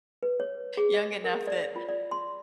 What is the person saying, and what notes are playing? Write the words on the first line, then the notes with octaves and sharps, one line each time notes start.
young enough that,
B4
C#5
G#4
D#5
A#4
D5
F4
D5
C6